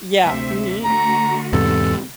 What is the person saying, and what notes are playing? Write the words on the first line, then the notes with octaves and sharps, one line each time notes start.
Yeah. Mhm.
D2 C3 E5
D3 A3 F#4 A#5
E2 G#2 C3 A4